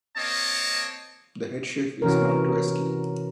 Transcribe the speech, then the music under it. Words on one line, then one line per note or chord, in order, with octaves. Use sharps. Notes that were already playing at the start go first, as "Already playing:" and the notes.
The head chef is Mark Twersky.
A#3 C4 C#5 D#5 A5
C3 E3 C#4 F#4 A#4